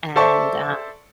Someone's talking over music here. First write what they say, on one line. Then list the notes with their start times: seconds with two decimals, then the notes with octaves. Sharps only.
and, um
0.16 A4 C5 D5 E5 A5 C#6